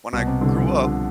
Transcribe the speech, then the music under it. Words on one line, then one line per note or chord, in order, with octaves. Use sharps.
when I grew up,
C2 B2
C3
C2 D3
F3
C3
D3